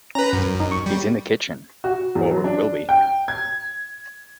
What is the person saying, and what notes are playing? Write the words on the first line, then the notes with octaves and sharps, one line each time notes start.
He's in the kitchen — or will be.
C#4 B4 A#5
F#2
D#4
C#6
G3
F#4
E2
F#3
D4
G5
G#6